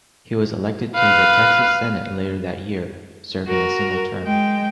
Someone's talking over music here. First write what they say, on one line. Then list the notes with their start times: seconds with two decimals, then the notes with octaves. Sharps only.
He was elected to the Texas Senate later that year, serving a single term.
0.95 B4 F5
3.48 F#4 A#4
4.23 G#3 G5